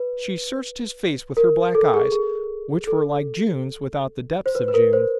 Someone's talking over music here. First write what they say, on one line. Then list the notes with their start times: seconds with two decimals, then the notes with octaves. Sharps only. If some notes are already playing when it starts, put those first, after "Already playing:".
She searched his face with her black eyes, which were like June's without the depths of June's.
Already playing: B4
1.37 A#4
1.75 A4
1.94 G#4
2.12 G#4
2.87 A4
4.46 C5
4.55 B4
4.68 B4
4.74 A#4
4.93 C5